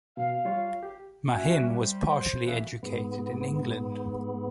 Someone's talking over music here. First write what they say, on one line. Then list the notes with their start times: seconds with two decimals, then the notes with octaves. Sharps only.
Mahin was partially educated in England.
0.17 B2 F5
0.45 G3 F4 C#5
0.83 G4
1.32 C#4 F#4 E5 F#5 G#5
1.58 G3
1.78 C5
2.09 C5
2.45 B2 E3 C#4 E5 F5
2.83 G#2 B3